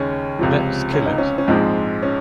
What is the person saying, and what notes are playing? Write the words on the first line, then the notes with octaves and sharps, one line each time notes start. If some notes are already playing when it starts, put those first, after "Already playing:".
Let's kill it.
Already playing: D#2 C#3 G#3 C#4
C#2 C3 F3
C#4
D#4
C#4
C#4
A#1 G#2 F3 G#3 C4
C#4